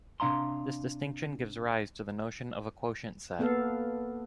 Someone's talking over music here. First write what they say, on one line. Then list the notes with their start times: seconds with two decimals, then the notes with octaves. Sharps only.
This distinction gives rise to the notion of a quotient set.
0.20 C3 D4 F5 A#5 C6
3.39 A#3 B3 A4 F5